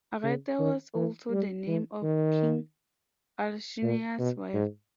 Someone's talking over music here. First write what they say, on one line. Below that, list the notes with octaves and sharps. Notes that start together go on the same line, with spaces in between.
Arete was also the name of King Alcinous's wife.
C#3
D#3
E3
G3
E3
D#3
A#2
B2
G#2